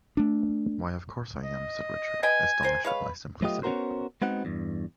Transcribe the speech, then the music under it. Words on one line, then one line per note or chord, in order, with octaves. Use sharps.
"Why, of course I am," said Richard, astonished at my simplicity.
A3 D4
D#5
B4 D#5 G5 G#5
A#4 C5 G5
G#3 B4 C#5 F5
F#3 A3 B3 F4 G4 D#5
B3 C#4 D#4 F#4 A#4 C5
G#3 B3 C4 D#4 F#4 F#5
E2 G2